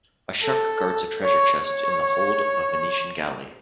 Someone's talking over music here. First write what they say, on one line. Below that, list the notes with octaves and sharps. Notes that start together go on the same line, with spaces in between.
A shark guards a treasure chest in the hold of a Venetian galley.
A4
C#5
C#5